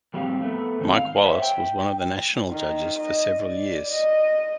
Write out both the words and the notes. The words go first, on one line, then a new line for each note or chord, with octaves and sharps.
Mike Wallace was one of the national judges for several years.
F2 A2 G3 C4 G4 F5
A3 B3
G#2 D#3 C4 D#4
F5
C5 C#5 E5 F#5
G5
D#3
D#5
D5
D#5